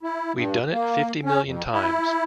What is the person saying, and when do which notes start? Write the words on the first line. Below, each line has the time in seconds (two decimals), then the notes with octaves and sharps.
We've done it fifty-million times!
0.03 E4
0.33 G2
0.73 A#3
1.24 C#4
1.45 F2
1.72 E4